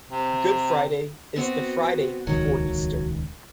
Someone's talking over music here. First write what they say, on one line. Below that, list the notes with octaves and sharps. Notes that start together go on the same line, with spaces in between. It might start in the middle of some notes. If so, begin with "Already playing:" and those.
Good Friday is the Friday before Easter.
C3
B3 C4 F#4
D#1 C#2 D#3 F#3